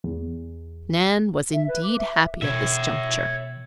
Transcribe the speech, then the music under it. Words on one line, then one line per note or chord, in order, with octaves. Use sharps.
Nan was indeed happy at this juncture.
E2
E5
B4
D6
E5
B2 E3 C#5 E5